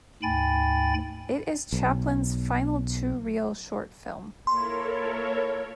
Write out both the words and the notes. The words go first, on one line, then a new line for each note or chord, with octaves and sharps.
It is Chaplin's final two-reel short film.
D2 G#2 G5 G#5 B5 A6
B1
A#3 E4 F4 A4 A#4 C#5 C6